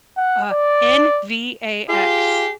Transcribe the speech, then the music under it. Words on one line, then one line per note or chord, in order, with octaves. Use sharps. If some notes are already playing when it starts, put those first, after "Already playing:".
Uh, N-V-A-X.
F#5
D5
F4 G4 G#4 C7